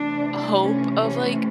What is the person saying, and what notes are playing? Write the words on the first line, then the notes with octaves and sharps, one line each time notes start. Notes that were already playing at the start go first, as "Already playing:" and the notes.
hope of, like
Already playing: C3 E3 A3 D4
C#4
C#4